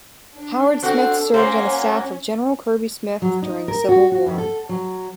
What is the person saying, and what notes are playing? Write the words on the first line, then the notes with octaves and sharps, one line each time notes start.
Howard Smith served on the staff of General Kirby Smith during the Civil War.
D4
C4 F#4 A4
F#3 A#3 C#4 C5 F5
F#3
D#4
A#4
F#4
F#4
F2
A4
F#3